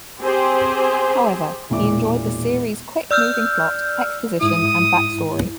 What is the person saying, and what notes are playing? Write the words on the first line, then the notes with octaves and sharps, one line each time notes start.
However, he enjoyed the series' quick-moving plot, exposition, and backstory.
C4 G4 G#4 C5
E1 A#2 E4 D6
D5 E6 F6 G6
G#2 E4 D#6